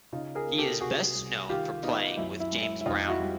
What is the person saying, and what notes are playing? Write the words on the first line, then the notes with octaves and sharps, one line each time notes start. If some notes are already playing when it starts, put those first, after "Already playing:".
He is best known for playing with James Brown.
C#3 D#4 F4
G#4 A#4
A#3
G4 A4
C3 F#4 G#4
C2
D#3 F4 G4
B3 D#4 F4
F#2 E4
E4
G#3
E4
E4
F2 D#4 F4
E4 F#4
G3